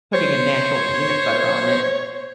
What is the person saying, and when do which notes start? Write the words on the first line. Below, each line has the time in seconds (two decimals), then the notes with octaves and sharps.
putting a natural peanut butter on it,
0.13 C5 C#5